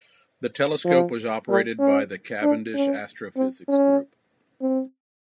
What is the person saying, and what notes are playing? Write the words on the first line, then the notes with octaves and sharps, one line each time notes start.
The telescope was operated by the Cavendish Astrophysics Group.
F3
G3
C#4
D4
C#4
C4
C#4
C4